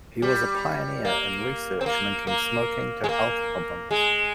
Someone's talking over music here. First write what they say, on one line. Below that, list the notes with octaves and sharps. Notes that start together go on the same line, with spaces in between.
He was a pioneer in research linking smoking to health problems.
G3
A#3
C4
A#3
A#3
G#3
A#3
G#3